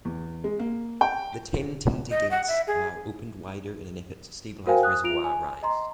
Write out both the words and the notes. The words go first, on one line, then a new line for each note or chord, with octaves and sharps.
The ten Tainter gates are opened wider in an effort to stabilize reservoir rise.
E2
G#3
A#3
G5
D#5
F#5
E5
G#4
F#4 A#4 C5 F5 G5 G#5
D#6 F#6
F4 D7 F7
G#5
D#5 A#5 C6